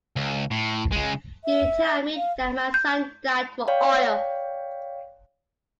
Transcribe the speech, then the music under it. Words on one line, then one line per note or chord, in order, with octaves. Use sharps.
You tell me that my son died for oil.
C#2
A2
C#3 G#3
E5
F5
G6
C#5 D5 F5 G5